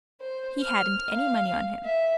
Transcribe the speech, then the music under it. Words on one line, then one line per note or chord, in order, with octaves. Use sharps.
He hadn't any money on him.
C5
F6
F5
E5